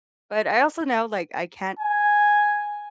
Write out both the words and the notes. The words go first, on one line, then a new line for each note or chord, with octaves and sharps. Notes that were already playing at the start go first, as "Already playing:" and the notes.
but I also know, like, I can't
G#5